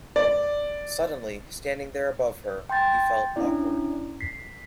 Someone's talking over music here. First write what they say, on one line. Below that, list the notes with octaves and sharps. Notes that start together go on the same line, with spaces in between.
Suddenly, standing there above her, he felt awkward.
D5
G5 C6 G6 A6
C#4 D4 E4 D5
B6 C7